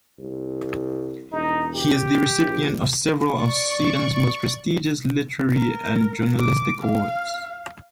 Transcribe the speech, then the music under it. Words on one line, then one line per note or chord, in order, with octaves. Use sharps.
He is the recipient of several of Sweden's most prestigious literary and journalistic awards.
C2
E1 D#4
G4
A#1
D5 C#6
A#4
D6
F5